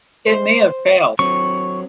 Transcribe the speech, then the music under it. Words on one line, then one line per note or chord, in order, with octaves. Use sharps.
It may have failed.
C5
F#3 C4 C#6